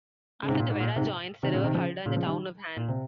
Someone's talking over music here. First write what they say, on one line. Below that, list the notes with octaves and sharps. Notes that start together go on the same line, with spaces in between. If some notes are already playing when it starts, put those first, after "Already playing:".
After the Werra joins the river Fulda in the town of Hann.
C#3
G#2 C3
A#2
G#2
A#2
G#2 C3
C3 D#3
A#2 C#3
C3 D#3
C#3 F3
A#2 C#3
C#3 F3
D#3 G3
A#2
C3